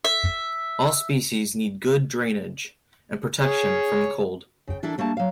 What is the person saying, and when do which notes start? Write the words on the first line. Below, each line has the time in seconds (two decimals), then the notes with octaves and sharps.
All species need good drainage and protection from the cold.
0.05 E5
3.41 G#4 C#5
4.67 C#3 G5
4.83 E3 D4 E4 A4 A#4 E5
4.98 G3 A3 A#3 D4 A5
5.17 F#3 F5